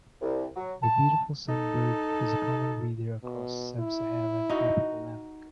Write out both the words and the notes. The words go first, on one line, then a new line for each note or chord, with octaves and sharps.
The beautiful sunbird is a common breeder across sub-Saharan tropical Africa.
C2
F#3
A5
D#4 A4
B2
E4
D#4 F#4